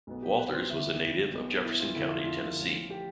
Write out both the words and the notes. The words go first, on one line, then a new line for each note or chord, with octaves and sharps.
Walters was a native of Jefferson County, Tennessee.
B1 B2 B3
G4
B4
C5
D2 D3 G3 B3 E5
B1 B2 B3
E4
F4
F2 D3 A3 E4
F4
F4
A1 A2 F3
G4